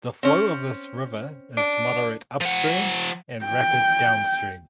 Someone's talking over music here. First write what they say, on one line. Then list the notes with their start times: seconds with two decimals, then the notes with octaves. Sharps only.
The flow of this river is moderate upstream and rapid downstream.
0.23 C4 C#4
1.57 D4
2.41 F3 F#5
3.46 G5